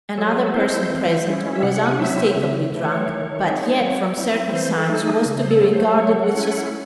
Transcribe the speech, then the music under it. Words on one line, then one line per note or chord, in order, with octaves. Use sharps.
Another person present was unmistakably drunk, but yet, from certain signs, was to be regarded with suspicion.
F#3 A4
G#4
A4
C4 E4 C5
E3
G#3 C#4 E4
E5
C3 F#5
G#5
F#5
F#3 C4 E4 E5
C#3 E5
E3 A3
C#5
D#3
G#3 C4 D#4
F#3
C4 E4
E3 C5
A4
A3 D#4 A4
G#4
C#3
C5
A4
F#3 A3
C5
F#3 C#5
F#5
C#4 E4
G#5
F#5